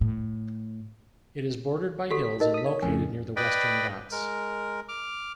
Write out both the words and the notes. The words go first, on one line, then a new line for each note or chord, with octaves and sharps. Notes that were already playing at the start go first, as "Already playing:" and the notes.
It is bordered by hills and located near the Western Ghats.
A2
F#4 G4 A4 B6
D#4 A#4 D#5
D#6 B6
C#5
F2 A2 C#3 G#5
B4 D5 D#5 G5 B5
G#3 A#4
D6 F6